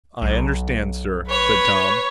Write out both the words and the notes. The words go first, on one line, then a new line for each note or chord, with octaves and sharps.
"I understand, sir," said Tom.
B1
B4 C#5